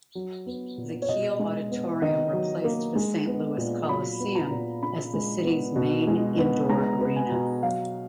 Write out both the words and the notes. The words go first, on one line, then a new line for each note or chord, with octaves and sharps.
The Kiel Auditorium replaced the Saint Louis Coliseum as the city's main indoor arena.
F#3
B3
A#2
C#5
B2 D#5
G#3
B3
D#3 D#5
F#3
A#3
G#3
B3
A#2
F#3 B5
B3
A#5
A#2
C#3 B5
G#3
B3
B2
G#3
B3
G#3 A#5
B3
G#5
B2
F#3 F5